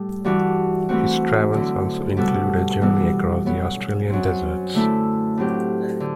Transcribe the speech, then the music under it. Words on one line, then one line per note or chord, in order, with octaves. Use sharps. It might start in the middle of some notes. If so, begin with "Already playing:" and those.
His travels also include a journey across the Australian deserts.
Already playing: A2 G3 A4
G2 E3 G3 D4 F#4
E3 A3 C4 F#4
D3 F#3 C4 E4
B2 G3 B3 F#4 A4
E3 G3 B3
F#2 F#3 B3
F#2 F#3 C4
D3 A3 E4 A4
A2 F#3 C4 G4
D3